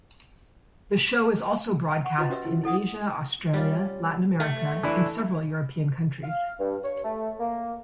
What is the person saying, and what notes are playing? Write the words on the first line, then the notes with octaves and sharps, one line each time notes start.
The show is also broadcast in Asia, Australia, Latin America, and several European countries.
F#5 C#6
F4 F#4 B4 D#5
C#4 F#4 G4 B4 E5 E6
E4
E4 A4 F#5 D#6
G3 C#4 F4
A3
E3 D4 E4
F5
G2
C#5
A3
A#3